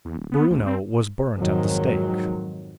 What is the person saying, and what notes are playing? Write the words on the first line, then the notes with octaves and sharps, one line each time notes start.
Bruno was burnt at the stake.
E2
D1
B3
D2
C4
F2 G#2 D#3 F#3